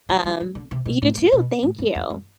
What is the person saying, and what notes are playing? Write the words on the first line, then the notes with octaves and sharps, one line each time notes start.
Um, you too. Thank you.
F#3
G3
G3
D3
C3
B2
A2
G2
B2
A2
F#2
E2
F#2